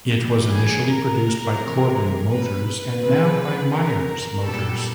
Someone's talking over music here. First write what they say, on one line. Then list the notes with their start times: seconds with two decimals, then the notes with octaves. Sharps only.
It was initially produced by Corbin Motors and now by Myers Motors.
0.15 A2 E3 G3
0.51 G#4
0.86 A#4
1.58 C3 E3 G#3
2.29 B4
3.00 D#3 G#3 C4 B4
3.72 A#4
4.43 A#2 G3 B3 A4